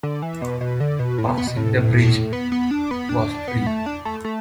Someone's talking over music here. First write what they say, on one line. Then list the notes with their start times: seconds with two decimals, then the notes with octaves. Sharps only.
Passing the bridge was free.
0.03 D3
0.22 E3
0.42 B2
0.61 B2
0.80 D3
0.99 B2
1.18 A2
1.28 B2
1.37 B3
1.47 B2
1.57 A2
2.33 B3
2.52 B3
2.71 D4
2.91 B3
3.09 D4
3.48 B3
3.67 A3
3.86 D4
4.05 A3
4.24 A3